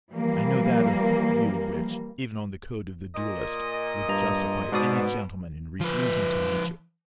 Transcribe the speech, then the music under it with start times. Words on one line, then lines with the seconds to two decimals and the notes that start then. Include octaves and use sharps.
I know that of you which, even on the code of the duellist, would justify any gentleman in refusing to meet you.
0.13 E3 F3 G3 A#3
3.15 A#2 D#5
4.08 G2 A#5
4.72 G#2 B2 D5 D#6
5.81 F3 B4